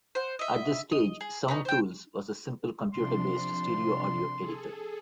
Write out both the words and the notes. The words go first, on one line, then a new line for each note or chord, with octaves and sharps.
At this stage Sound Tools was a simple computer based stereo audio editor.
C5 F#5
D#5 E5
D#5
G#4
B3 C#4 D#4
C5 G5
C3 F3 D4 C6
G#4 A4